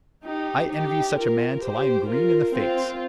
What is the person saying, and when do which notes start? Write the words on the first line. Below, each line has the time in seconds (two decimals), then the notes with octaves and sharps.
I envy such a man till I am green in the face.
0.24 D#4 G4
0.71 D#4 G4
1.17 F4 A#4
1.63 G4 C5
2.10 F4 A#4
2.56 C4 F4